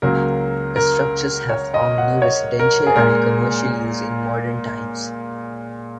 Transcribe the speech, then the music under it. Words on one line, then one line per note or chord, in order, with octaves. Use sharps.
The structures have found new residential and commercial use in modern times.
C#2 C#3 F#3 A#3 A#4
A#4
C#5
D#5
F#5
C#5
A#4
G#4
A#2 G#3 A#4